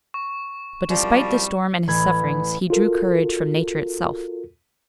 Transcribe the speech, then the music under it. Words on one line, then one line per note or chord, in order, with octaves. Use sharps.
But despite the storm and his sufferings, he drew courage from nature itself.
C#6
C2 F#2 F3 G3 D5
A1 E3 B5 G#6
F4 F#4 A4 A#4